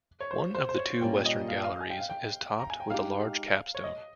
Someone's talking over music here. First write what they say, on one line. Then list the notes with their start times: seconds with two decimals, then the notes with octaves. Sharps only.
One of the two western galleries is topped with a large capstone.
0.20 C#5
0.31 C5
0.55 C5
0.69 C5
0.78 C#5
1.01 A#2 G3 A#3 C#4 G5
1.26 D#5
1.48 F5
1.64 F5
1.81 G#5
1.90 G5
1.99 F5
2.10 G5
2.60 A#5
2.70 G#5
2.80 G5
2.90 G#3 D#4 G4 F5
3.75 C#5
3.84 D#5